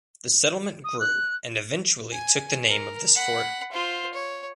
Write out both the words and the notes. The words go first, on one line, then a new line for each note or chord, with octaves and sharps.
The settlement grew, and eventually took the name of this fort.
D#6
F#6
G#5
A#4
F#5 B5
F4 C5
C#5